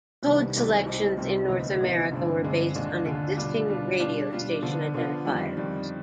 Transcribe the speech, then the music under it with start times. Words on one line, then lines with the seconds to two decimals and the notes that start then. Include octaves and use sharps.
Code selections in North America were based on existing radio station identifiers.
0.23 C2 C3 D#3 G3 B3
0.54 C2 C3 D#3 G3 B3
0.85 C2 C3 G3 C4 D#4
1.18 C2 C3 G3 C4 D#4
1.48 D2 C3 F3 B3 D#4
1.80 D2 C3 F3 B3 D#4
2.12 G2 D3 G#3 C4
2.43 G2 D3 G#3 C4
2.74 D#2 D3 G#3 D4 F4
3.05 D#2 D3 G#3 D4 F4
3.36 B2 G3 D4 F4
3.68 B2 G3 D4 F4
4.00 B2 G3 D4 F4
4.32 B2 G3 D4 F4
4.62 D3 F3 B3 F4
4.94 D3 F3 B3 F4
5.25 F2 D#3 G3 C4
5.57 F2 D#3 G3 C4